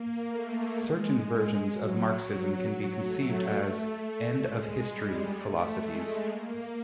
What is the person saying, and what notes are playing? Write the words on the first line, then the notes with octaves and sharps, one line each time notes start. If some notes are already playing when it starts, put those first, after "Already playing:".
Certain versions of Marxism can be conceived as "end of history" philosophies.
Already playing: A#3
A3
G#3
F#3
A3
G#3
G3
A3
G#3
A#3